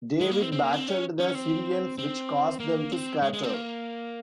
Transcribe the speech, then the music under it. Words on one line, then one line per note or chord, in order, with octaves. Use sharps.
David battled the Syrians which caused them to scatter.
G#3
A#3
C4
C4
A#3
C4
C#4
C#4
C4
C4
A#3
C4
G#3
G#3
C4
A#3